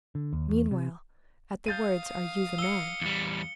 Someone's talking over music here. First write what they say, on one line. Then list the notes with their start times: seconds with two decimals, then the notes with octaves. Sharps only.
Meanwhile, at the words, Are you the man?
0.15 D3
0.33 D#2
0.49 E2
0.71 C3
1.66 F5 D#6 G6 A6 D#7
2.58 E6 C#7 G7
3.02 E2 G3